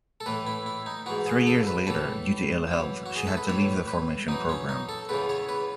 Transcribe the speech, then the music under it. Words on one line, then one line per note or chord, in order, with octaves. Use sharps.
Three years later, due to ill health, she had to leave the formation program.
A4
A2 E3 B4
E4
E4
D#4
G#2 E3 F#4
G#4
A4
B4
A2 E3 A4
F#2 E3
F#4
G#4
A4
B4
A2 E3 C#5
B4
F#2 E3 D#4
C#4
D#4
A4
E2 C#3 E3 B4
C#5
B4